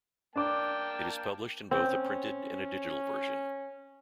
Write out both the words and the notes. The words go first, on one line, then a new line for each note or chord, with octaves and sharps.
It is published in both a printed and a digital version.
A#3 D4 G5 A5 D6
C4 C#4